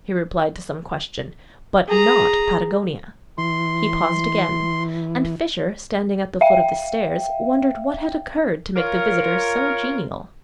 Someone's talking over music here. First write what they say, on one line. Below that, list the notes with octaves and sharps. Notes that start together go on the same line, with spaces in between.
He replied to some question, "but not Patagonia," he paused again, and Fisher standing at the foot of the stairs wondered what had occurred to make the visitor so genial.
G#4 A#5
E3 C6
E5 F5 G5
F4 A#4 C#5